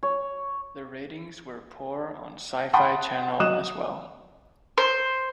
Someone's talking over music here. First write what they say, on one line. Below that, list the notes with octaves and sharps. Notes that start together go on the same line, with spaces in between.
The ratings were poor on SciFi Channel as well.
C#5
F#5 G5 A5 B5 C6 D#6
F#3 D#5 D#6 F#6 E7
C5